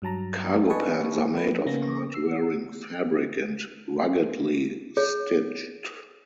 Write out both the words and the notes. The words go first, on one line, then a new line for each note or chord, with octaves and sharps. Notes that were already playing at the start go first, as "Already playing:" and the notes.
Cargo pants are made of hard wearing fabric and ruggedly stitched.
G2 F#3 A5 A#5
D4 B4 D#5 G#5 A5 C#6
F3 A#3 B4
C#3 A#3 B3 C#4 A#6
E6 C7
G#4 C#5